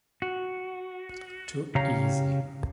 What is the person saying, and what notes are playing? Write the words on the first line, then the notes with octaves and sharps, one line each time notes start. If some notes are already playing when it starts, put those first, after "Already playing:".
Too easy.
F#4
C#3 C#4 G4 C#5 F5 A#5